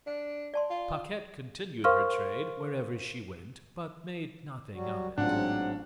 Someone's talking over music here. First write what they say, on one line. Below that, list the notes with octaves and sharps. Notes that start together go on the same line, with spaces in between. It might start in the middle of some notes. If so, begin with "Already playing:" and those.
Paquette continued her trade wherever she went, but made nothing of it.
D4
D5 A5 C6
F4
A#4 C5 F5 C6 C#6 F6
F#3 G3 F#4
A1 G#2 F#3 C4 D4 F4 F#5